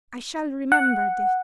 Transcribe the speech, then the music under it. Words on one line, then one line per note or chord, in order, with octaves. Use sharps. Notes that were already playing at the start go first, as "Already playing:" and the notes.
I shall remember this.
F#5